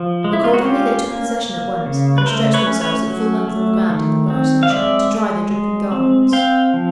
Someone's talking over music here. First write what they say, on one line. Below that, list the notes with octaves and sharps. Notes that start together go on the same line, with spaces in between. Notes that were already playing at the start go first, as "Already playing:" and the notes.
Accordingly they took possession at once, and stretched themselves at full length on the ground in the bright sunshine, to dry their dripping garments.
Already playing: F3
G#3
E4
F4
F#4
C#4 F4 G4
A#3
A#3
C#3
B4
A3 A#4 C5
B4 C#5
C#4
B4 C#5
F#3
A3
D#3
C4
F5
G#3 D5 E5
G#3
G#3
C4
C4 F5 G5
F3